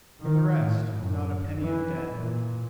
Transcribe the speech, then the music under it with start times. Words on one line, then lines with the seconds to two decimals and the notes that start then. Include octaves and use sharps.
For the rest, not a penny of debt.
0.23 D#3
0.63 A2
0.95 F#2
1.60 E3
2.13 A#2